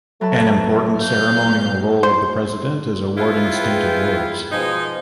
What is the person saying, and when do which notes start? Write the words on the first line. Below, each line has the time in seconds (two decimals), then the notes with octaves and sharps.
An important ceremonial role of the President is awarding state awards.
0.21 F#3 A3 B4 A5
0.99 F5 G6
2.03 C5
3.17 B3 E4 F4
3.55 G#4 B4 G5
4.50 B2 F3 G#3 D#4